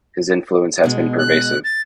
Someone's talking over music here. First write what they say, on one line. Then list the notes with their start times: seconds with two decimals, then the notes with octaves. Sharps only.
His influence has been pervasive.
0.83 B2 G#3
1.18 F#6
1.64 A6